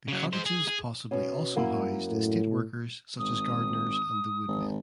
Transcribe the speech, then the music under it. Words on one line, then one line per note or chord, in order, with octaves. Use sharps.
The cottages possibly also housed estate workers such as gardeners and the wood men.
C#3 F#3
G#3 C5
G#4
G#4
B2 C#4
F#2 A#3 E4
A2
G#1 D#6
G#1